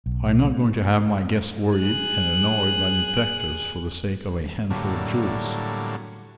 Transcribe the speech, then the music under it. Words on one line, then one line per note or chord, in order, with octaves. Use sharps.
I am not going to have my guests worried and annoyed by detectives for the sake of a handful of jewels.
B1
G#4 F#6
A2 D3 F#3 G3 A#3